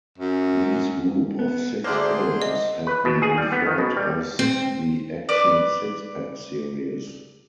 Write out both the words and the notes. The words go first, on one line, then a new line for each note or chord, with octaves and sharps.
These group of six films have been referred as the "Action Six-Pack Series".
F#2
B3
D2 D3 A#3 G#4 C5 D5 C6
D#5
B4
B2
G#4
G3
B3
D#3
B2
G3
C4
B4 D5